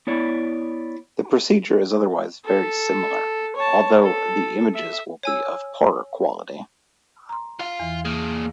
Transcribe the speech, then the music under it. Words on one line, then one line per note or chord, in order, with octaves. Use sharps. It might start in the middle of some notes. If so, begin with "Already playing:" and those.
The procedure is otherwise very similar, although the images will be of poorer quality.
B3 E4 C#5 D5
A4
C#5 A5
A4
E5
C#5 G#5 E6
A#5 C6
F4 F5
E2 E3
A#3 G#4